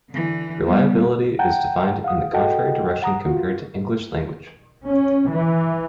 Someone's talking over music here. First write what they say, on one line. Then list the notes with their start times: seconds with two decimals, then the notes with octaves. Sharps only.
Reliability is defined in the contrary direction compared to English language.
0.10 D3 E3
0.65 G3 B3
1.39 F#5 G5 A5 A#5 G6
2.04 F5 F#5 D#6
2.33 F#4 A4 D#5 F#5 G5 A5
3.02 F#5 A#5 D#6
3.26 F4 F#4
4.86 C#4
5.31 E3